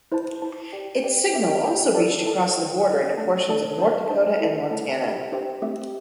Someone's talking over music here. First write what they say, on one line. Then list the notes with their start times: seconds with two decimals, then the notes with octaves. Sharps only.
Its signal also reached across the border into portions of North Dakota and Montana.
0.12 E4 C5 A5
0.42 E4 C5 A5
0.73 G4 D5 G5
1.03 G4 D5 G5
1.34 G4 E5 G5
1.64 G4 E5 G5
1.95 E4 A4 D5 A5
2.26 E4 A4 D5 A5
2.56 E4 C5 G5
2.87 E4 C5 G5
3.17 A3 D4 A4 D5 A5
3.48 A3 D4 A4 D5 A5
3.78 D4 C5 A5
4.09 D4 C5 A5
4.40 A3 E4 A4 C5 A5
4.70 A3 E4 A4 C5 A5
5.01 D4 G4 C5 E5 G5
5.32 D4 G4 C5 E5 G5
5.62 A3 C4 G4 E5